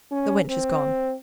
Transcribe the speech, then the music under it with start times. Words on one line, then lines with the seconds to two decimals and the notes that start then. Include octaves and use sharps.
The wench is gone.
0.12 C#4
0.49 C4